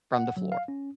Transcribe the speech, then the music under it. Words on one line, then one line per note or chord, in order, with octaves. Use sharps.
From the floor.
F#5
F#3
F5
C#4